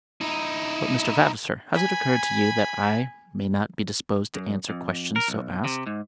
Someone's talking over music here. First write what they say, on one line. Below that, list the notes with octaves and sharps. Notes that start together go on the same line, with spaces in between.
"But, Mr. Vavasor, has it occurred to you that I may not be disposed to answer questions so asked?"
D#4 E4
G#5 B5
F#2
F2
A#4
B1
C3
G#2